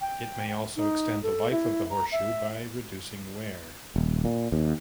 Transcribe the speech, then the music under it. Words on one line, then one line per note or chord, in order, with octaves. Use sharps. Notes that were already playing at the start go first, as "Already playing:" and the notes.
It may also extend the life of the horseshoe by reducing wear.
G5
D#4
A4
E4
A#5
E5
D#1
A#2
D#2